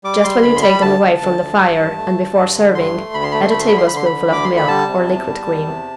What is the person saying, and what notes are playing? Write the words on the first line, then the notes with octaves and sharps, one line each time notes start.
Just when you take them away from the fire and before serving add a tablespoonful of milk or liquid cream.
G3 D6
G3 C6
D2 B5
C6
G3 B5
D2 A5
D2
D2
D2
G2
G2
A3
G2
G2
D3
G2 C6
A3
D2 B5
C6
A3 B5
C6
D2 B5
C6
D3 B5
C6
D3 B5
C6
D3 B5
D2 D6
D3 C6
B5
G3 A5
C3
E2
G3
E2
C3